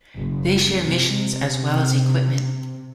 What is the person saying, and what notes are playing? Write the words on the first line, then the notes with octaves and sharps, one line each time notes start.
They share missions as well as equipment.
F#1
C3